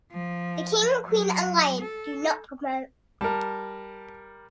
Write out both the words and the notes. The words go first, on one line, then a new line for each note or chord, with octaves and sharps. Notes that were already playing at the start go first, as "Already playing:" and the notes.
The king, queen, and lion do not promote.
F3
F#3
A4
G3 A#4 A5